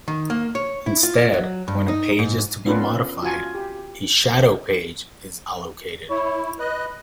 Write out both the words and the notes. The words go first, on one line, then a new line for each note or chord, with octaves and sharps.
Instead, when a page is to be modified, a shadow page is allocated.
D#3
A#3
C#5
E4
F4
F#3
G2
D#4
G#2
B3 C#4 D4 F4 A#4 B4
F4 F#4 G#5 A5
G4
E4 C#5
B4 D#5 F#6